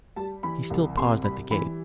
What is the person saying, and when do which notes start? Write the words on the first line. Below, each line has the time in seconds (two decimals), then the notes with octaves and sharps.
He still paused at the gate.
0.16 G3 A5
0.43 E3 B5
0.70 C2
0.97 C3 C6
1.24 G3 B5
1.51 E3 B5